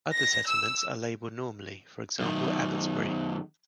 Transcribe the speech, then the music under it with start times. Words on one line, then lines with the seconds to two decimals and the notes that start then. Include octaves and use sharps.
Other settlements are labelled normally for example Abbotsbury.
0.13 A#6
0.47 E6
2.20 F#2 D#3